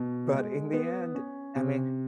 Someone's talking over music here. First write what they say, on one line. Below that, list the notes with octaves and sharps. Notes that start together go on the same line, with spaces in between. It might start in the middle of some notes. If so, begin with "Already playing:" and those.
But in the end, I mean
Already playing: B2
G#3
B3
C#4
C3